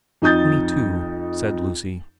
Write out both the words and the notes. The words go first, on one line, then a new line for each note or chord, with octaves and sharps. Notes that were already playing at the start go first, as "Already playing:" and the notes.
'Twenty-two,' said Lucy.
F2 D#4 D#6 G6 A6